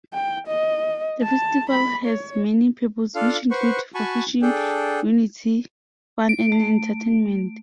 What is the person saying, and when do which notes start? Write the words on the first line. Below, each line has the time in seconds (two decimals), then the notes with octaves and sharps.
The festival has many purpose which include: for fishing, unity, fun and entertainment.
0.13 G5
0.48 D#5
1.23 A5
1.70 B5
2.06 C#5
3.15 D4 F4 A4 F5
3.51 B4 C5 F#5 C#6
3.95 F#4 G#5 A5 B5 C#6
4.42 D4 G#4 A4 G5
6.29 D7
6.52 A3